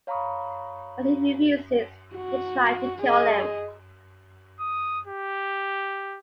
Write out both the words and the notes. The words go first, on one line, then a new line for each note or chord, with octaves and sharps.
When he refuses, they try to kill him.
C#5 F5 A#5 B5 C#6 D#6
F#4
G#4 D#5
D#6
G4